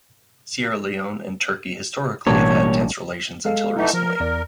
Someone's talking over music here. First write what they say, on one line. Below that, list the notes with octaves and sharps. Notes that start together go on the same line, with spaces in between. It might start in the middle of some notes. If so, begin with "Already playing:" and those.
Sierra Leone and Turkey historically have had tense relations until recently.
A1 B2 G3 A#3 D4 C#5
G#3 A4 F5
E3 A3 D#4 E4 F#5
F3 A#4
E2 D5